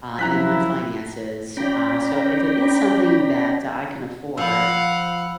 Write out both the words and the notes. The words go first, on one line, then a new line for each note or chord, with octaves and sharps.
uh, and in my finances, uh, so if it is something that I can afford,
F#2 F3 E4 A#5 F#6 B6
C#4 D5 G5 A#5 B5
F3 F5 F#5 B5 E6